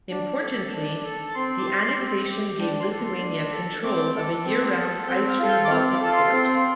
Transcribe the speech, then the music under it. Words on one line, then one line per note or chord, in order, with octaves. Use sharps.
Importantly, the annexation gave Lithuania control of a year-round ice-free Baltic port.
D4
A4
D4
A4
A5
C4 C6
D6
G4 C6
C4
G4
D4 G5
C6
A4
C6
D4
A4
C4 D6
A4
C4
A4
C4 G6
F6
F4 A4
G6
D6
C4 F6
D6
F4 A4 A5
C6
C4